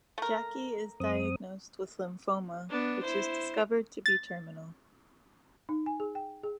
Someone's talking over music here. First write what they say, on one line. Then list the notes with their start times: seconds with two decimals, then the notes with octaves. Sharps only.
Jackie is diagnosed with lymphoma, which is discovered to be terminal.
0.18 A3 A#4
1.00 F#2 C4 D#6
2.70 B3 D4
3.02 E4 C5
4.06 A6
5.69 D#4
5.86 G#5
6.00 G#4
6.15 G5
6.43 G#4